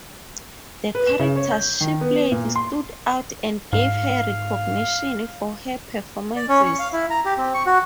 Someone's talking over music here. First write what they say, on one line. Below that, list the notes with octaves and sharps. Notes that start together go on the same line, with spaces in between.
The characters she played stood out and gave her recognition for her performances.
B4
E7
C#3
C#5
G6
D#3
B3
A#2
C6
G#2 F5
D5
C#4
C#6
F5
E4
A#5
G4
C4
C#6
F#4